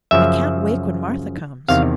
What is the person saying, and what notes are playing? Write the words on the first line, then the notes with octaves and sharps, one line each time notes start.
"I can't wake when Martha comes."
F#2 C#3 F3 E5
E2 C3 D#3 F5